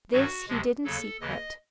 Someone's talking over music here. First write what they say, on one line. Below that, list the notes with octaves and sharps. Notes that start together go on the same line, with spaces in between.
This he did in secret.
G2 D#3 F#3 F#4
D2 C3 F3 G#3
D#2 C#3 F#3 A4
D#2 C#3 E3 D#5